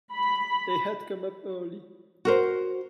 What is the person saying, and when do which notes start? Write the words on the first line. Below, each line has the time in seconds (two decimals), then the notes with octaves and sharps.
They had come up early.
0.14 B5
2.25 F#4 A#4 C5